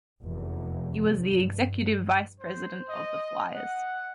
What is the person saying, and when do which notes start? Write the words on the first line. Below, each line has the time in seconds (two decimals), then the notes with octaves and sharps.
He was the executive vice president of the Flyers.
0.22 F1 E2
1.04 G2
2.40 C5
2.89 D#5
3.54 F#5